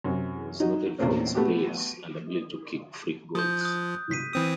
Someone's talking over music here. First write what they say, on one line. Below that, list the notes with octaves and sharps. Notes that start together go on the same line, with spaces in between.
He was noted for his pace and ability to kick freak goals.
F#2 C3
F#3 D#4
E2 A#2 A3 A#3 C4 C#4
A3 B3 F#4 G4
F3 D#6 G6
D#6 F#6
B6 C7 D#7
E3 C4 D#6